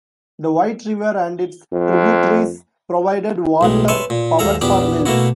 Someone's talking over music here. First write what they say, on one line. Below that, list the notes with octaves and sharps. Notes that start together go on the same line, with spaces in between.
The White River and its tributaries provided water power for mills.
F2
B1 A2 G#3
B4 C#5 E5 G#5 A5 C6
A#2
D#2 G#2 A4 E5 F5 A#5
A#1 E2 B3 D4 G4 D6
B2 A3 A#3 E4 F#4